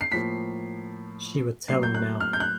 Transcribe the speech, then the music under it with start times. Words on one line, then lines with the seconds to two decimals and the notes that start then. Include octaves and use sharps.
She would tell him now.
0.01 C7
0.11 A2 F3 A#3 B6
1.68 A2 F#3 A#3 C7
1.83 G6
1.95 F#6
2.20 F6
2.33 G6
2.40 F#6